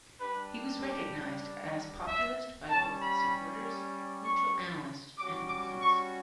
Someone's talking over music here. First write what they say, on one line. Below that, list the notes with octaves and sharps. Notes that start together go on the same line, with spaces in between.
He was recognized as populist by both supporters, neutral analysts, and opponents.
G3 D4 G4 B4
G4
E5
G3 C#4 G4 A5
B5
C#6
G3 C#4 F#4 D6
D6
C#6